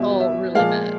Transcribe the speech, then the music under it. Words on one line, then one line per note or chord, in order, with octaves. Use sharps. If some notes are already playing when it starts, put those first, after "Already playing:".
all really bad.
Already playing: E2 B2 G3 E5
E5
A#2 F3 G#3 F5